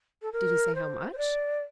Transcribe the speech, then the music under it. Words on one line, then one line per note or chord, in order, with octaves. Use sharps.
"Did he say how much?"
A4
A#4
C5
C5
D5